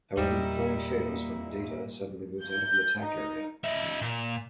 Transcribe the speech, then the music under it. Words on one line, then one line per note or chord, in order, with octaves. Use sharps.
However the plan fails when Data suddenly moves out of the attack area.
E2 A#2 G3 D#4 E4
G6
D#4
D#4 E5
A#2